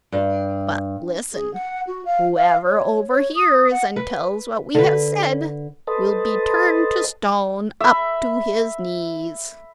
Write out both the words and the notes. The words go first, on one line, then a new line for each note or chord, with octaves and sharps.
But, listen! whoever overhears and tells what we have said will be turned to stone up to his knees.'
G2
G#4
F#5
F#4
F5
F5
C#5
C#5
D#6
F#5
B4
D3 B4
A4 B4 C5 D#5 A5
E5 B5